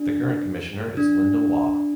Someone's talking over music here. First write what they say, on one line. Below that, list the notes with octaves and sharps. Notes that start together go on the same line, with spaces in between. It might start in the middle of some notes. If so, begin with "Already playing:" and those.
The current Commissioner is Linda Waugh.
Already playing: D4
D4